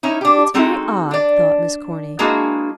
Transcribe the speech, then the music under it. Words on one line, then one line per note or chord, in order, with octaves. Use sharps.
"It's very odd," thought Miss Corny.
C#4 D#4 E4
D4 G4
G#3 C4 D#4 F#4 A4 G5
D4 D5
G#3 A#3 D4 E4 F#4 G#4